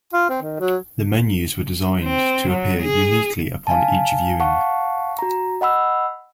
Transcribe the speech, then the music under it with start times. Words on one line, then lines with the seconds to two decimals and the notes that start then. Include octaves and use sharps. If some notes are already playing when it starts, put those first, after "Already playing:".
The menus were designed to appear uniquely upon each viewing.
0.13 F4
0.29 C4
0.42 D#3
0.60 F#3
2.05 C4
2.51 F#3
2.82 G#4
3.67 F5 G#5 A5
4.40 F5 F#5 A5 C#6
5.19 F#4 A#5
5.61 D#5 F#5 B5 E6